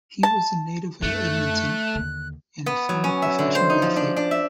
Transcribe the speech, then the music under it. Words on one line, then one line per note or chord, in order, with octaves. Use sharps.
He was a native of Edmonton and a former professional athlete.
A5
F#2 A3 D#4 F#6
D#2 D3
B3
F#3
C#4
E5
D3
C5
D#4
F3
D4
D4
E5